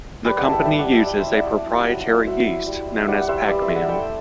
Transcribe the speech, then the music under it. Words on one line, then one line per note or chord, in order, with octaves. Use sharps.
The company uses a proprietary yeast known as "Pacman".
G3 B4 D5
D5 F#5
E4 A5
E5 G5
G3 E5 G5
D5 F#5
G3
E5 G5
G3
C5 E5
E4
D5 F#5
G3
E4
F#3 D5 F#5
D5 F#5
E4
C5 E5
F#3 C5 E5
E4
G3
E4
G3 D5 F#5
F#5
G3 C5 E5
G3 B4 D5
C5 E5
E4
D5 F#5
A3 E5 G5